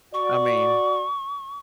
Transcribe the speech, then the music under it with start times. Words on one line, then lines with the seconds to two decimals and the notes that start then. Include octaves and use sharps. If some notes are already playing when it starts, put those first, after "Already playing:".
I mean
0.14 F#4 D5 C#6